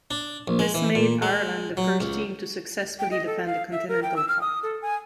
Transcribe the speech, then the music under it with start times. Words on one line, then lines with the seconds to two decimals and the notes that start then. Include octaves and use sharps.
This made Ireland the first team to successfully defend the Continental Cup.
0.11 D4
0.48 A#1
0.59 G#3
0.74 E3
0.95 A#2
1.22 G#3
1.77 F#3
2.01 C#2
2.99 G5
3.11 D#5
3.26 A4
3.46 F5
3.72 E5
3.89 A#4
4.03 G5
4.16 E6
4.28 F6
4.41 D#6
4.63 A4
4.82 G#5